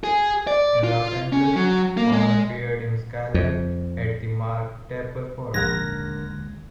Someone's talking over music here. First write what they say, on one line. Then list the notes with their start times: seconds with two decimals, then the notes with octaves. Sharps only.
In Los Angeles, Hall appeared in "Skylight" at the Mark Taper Forum.
0.04 G#4
0.47 D5
0.84 F4
1.33 C#4
1.56 F#3
1.97 A#3
2.12 G#3
3.34 F2
5.54 A#1 D#2 G#2 D3 A#4 F#6 G#6 A#6